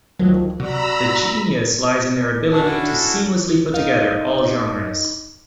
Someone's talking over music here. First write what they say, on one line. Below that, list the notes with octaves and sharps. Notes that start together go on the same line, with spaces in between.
The genius lies in their ability to seamlessly put together all genres.
D2 D#3 F3 F#3
C3 F#4 D5 A#5 B5 E6
C#4 D4 E4 F#4 A4
D#4 F5